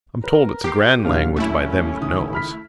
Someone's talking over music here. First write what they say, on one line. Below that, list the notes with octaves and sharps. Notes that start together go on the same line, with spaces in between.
I'm told it's a grand language by them that knows.
A#4 B4
G4 D6 C7
D#2 A#2 D3 F#3 F5
A3 C#4 E4
C#2 D#3 D#6
B5 F6 B6